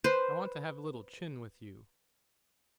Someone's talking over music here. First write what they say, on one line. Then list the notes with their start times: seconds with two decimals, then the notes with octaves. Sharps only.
I want to have a little chin with you.
0.04 B4 C5